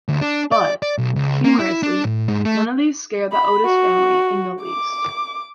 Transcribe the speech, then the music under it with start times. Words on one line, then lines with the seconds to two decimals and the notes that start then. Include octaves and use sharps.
But, humorously, none of these scare the Otis family in the least.
0.08 D2
0.21 D4
0.52 D5
0.82 D5
0.98 B1
1.16 C#2
1.45 A#3
1.59 E4
1.83 D4
2.04 A2
2.28 G#2
2.45 A3
3.32 B5
3.65 F#4
4.63 D6